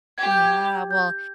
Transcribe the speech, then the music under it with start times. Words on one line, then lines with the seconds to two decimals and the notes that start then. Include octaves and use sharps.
Yeah. Well,
0.18 G4 G#6
0.31 G6
0.45 G#6
0.91 G6